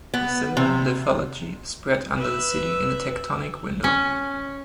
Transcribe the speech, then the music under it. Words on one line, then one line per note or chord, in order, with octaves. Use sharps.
A similar lithology is spread under the city in a tectonic window.
B3
C3
B4 E5
C#4